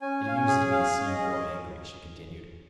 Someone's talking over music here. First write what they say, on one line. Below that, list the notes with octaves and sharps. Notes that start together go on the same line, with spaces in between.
"It amuses me to see you grow angry," she continued.
C#4 G#5
C#4 F5
G#5
G#4
G#4 F5
C#4
D#5
C#4